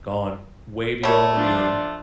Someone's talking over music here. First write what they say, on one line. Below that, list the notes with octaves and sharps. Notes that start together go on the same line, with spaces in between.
gone way beyond the moon
G3 A3 A#4 C#5
F3 D4